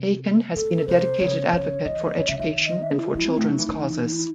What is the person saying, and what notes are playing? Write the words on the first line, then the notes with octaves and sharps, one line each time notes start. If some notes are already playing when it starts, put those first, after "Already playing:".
Aiken has been a dedicated advocate for education and for children's causes.
Already playing: C3
A2 A4
C3 C5
C#3 C#5
C#3 C#5
E3 D#5
D#3 C#5
C#3 E5
D#3 E5
D#5
E5
G#4
E4
F#4
E3 E4
C4
A3
F#3 D#4
E3
E3
D#4
E4